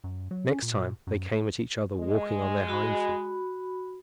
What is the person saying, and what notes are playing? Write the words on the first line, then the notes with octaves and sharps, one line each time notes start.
Next time they came at each other walking on their hind feet.
F#2
F#3
C#4
A#2
F#2
G#3
F#4 B5